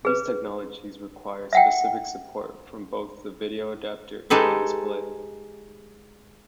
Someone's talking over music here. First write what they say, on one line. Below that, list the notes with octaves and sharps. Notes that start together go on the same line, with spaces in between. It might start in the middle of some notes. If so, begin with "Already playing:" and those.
These technologies require specific support from both the video adapter and the display.
G#4 B4
E5 F#5 G5
G#3 D#4 G4 A4 B4